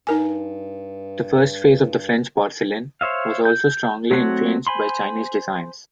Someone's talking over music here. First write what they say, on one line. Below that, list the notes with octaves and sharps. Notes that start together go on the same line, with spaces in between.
The first phase of the French porcelain was also strongly influenced by Chinese designs.
G2 D#4 A#4 G#5
C5 C#5 E5 F5
G6
F#3 A3 C4 F#4 C#5
C5 G#5 B5 C6